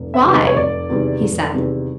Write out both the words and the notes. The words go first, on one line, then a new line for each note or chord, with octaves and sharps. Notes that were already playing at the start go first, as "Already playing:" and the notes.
'Why,' he said.
Already playing: F1
E5
E2 C3 D#3 G3
D#5
C#5
F1 D5
E2 C3 D#3 G3
F1
E2 C3 D#3 G3